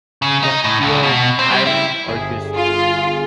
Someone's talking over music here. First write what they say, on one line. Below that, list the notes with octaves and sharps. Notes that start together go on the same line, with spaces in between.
don't feel tiring are just
C#3
D#4
A2
C#2
B2
C4
G3
E4
G1 G#4
F4